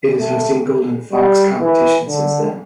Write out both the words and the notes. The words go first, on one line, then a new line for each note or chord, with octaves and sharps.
It is hosting Golden Fox competition since then.
A3
G3
E3
D3